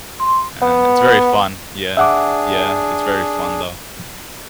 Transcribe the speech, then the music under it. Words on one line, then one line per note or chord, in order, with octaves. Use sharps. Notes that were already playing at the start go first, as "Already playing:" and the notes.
and it's very fun. Yeah. Yeah. It's very fun, though.
C6
B3
D4 G#4 E5 F#5 D6